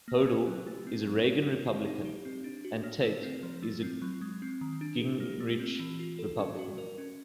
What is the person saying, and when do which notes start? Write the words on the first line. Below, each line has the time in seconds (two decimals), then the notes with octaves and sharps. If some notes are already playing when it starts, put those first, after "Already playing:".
Hodel is a Reagan Republican and Tate is a Gingrich Republican.
0.08 A#3
0.27 C#4
0.47 F#3
0.67 A3
0.87 C4
1.06 F#3
1.26 D#4
1.46 G4
1.66 C4
1.85 D#4
2.05 G4
2.25 C4
2.44 D4
2.65 F#4
2.83 A#3
3.03 A3
3.23 C4
3.43 F3
3.62 A3
3.83 C4
4.02 F#3
4.21 G#3
4.42 C4
4.61 D#3
4.81 D4
5.01 G4
5.20 A#3
5.40 A3
5.59 C4
5.80 E3
5.99 F4
6.19 A4
6.39 C#4
6.59 F#4
6.78 A#4
6.98 C#4